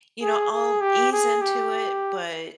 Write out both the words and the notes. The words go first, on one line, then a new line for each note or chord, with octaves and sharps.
you know, I'll ease into it, but
G#4
G#4
G4
G#4
G4